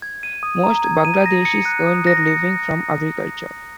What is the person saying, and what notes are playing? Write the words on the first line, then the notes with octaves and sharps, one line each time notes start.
Most Bangladeshis earn their living from agriculture.
G#6
D#7
D#6
A#5
G#6
D#7
A#6
C#7
F#6
D#6
A#6
C#7